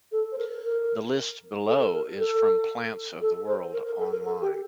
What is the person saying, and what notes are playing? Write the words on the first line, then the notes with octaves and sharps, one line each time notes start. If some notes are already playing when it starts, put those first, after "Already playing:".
The list below is from "Plants of the World Online".
A4
C5
A#4
A#4
A4
A#4
A4
A4
C5
A#4
A#4
A4
A#4
A4
G4